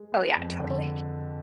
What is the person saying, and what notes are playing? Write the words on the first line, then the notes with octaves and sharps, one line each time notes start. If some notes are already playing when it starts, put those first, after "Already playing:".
Oh, yeah, totally.
Already playing: G#3
B3
F2
D3